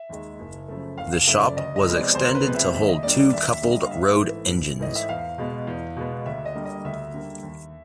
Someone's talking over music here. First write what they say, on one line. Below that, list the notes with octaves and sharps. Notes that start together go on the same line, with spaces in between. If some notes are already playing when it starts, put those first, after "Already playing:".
The shop was extended to hold two coupled road engines.
Already playing: E5
D#2 D#3 G#3
F#1
F#2 C#3 F3 A3
F#1 F5
F5
F#2 C#3 F3 A3 E5
D5
D2 D#5
D#5
C3 F3 G#3 B3
D5
D2 C5
A#4
B4
C3 F3 G#3 B3
E5
D#2 E5
D#5
D3 G3 A#3 D5
D5
D#2 E5
E5
D3 G3 A#3
D#5
F5
A1 E5
G#2 E3 A3
A1
G#2 E3 A3 D#5
E5
E2 F5
B2 G#3 B3
E2
B2 G#3 B3
D2 E5
D#5
D3 G3 A#3
D#5
D2 E5
D3 G3 A#3
D#2